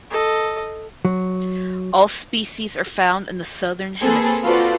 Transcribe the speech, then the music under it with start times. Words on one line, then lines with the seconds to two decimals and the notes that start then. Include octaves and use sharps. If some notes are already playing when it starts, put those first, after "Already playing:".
All species are found in the Southern Hemisphere.
0.11 A4 D#5
1.05 F#3
4.01 A#3 C4 G#4 A4 B4
4.43 F4 F#4 A4 B4 C5 D5